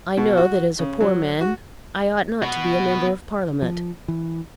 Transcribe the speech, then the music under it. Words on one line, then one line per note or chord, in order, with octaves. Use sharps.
I know that as a poor man I ought not to be a member of Parliament.
B2
F#4
C#3
F#3
F#4
B3 F#4
F3
E3